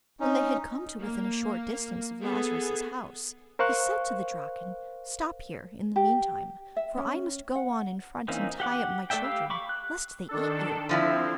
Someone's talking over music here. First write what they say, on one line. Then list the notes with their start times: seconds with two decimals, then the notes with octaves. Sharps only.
When they had come to within a short; distance of Lazarus's house, he said to the Draken: 'Stop here, in the meantime, for I must go on in front and tie up my children, lest they eat you.'
0.20 C#4 D#4
1.00 A#3
2.23 B3 G#4 A4
3.59 A#4 C5 F5 C#6 F#6
5.96 G4
6.77 E5
6.97 C#4
7.55 F#5
8.28 E3 A#3 C4 C#4 D#4
8.60 G4 F#5 D6
9.10 A3 A4 D5 E5 G5
9.24 G4 F5 B5 E6
9.50 B5 C#6 D6
9.69 F#6
10.29 D#3 D4 A4
10.89 D3 F3 C4 E4